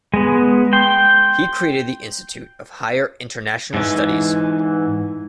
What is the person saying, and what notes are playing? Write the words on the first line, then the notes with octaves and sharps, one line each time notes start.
He created the Institute of Higher International Studies.
G#3 B3
G5 C6
G#2 E3